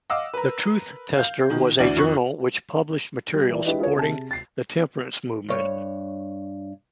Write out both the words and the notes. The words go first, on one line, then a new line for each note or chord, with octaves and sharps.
The Truth-Tester was a journal which published material supporting the temperance movement.
D#5 F5 F#5 D6 E6
A#4 B4
F5 G6
B2 D#3
D2 E3 D4 D5 F#7
F2 C#6 F#6
G3
E3 D5
G#3 D4 E4 G4 B4 D#5
F4 G#4 A#4 B4 C#5
C3 G#4 A5
A6 C7
G2 C#5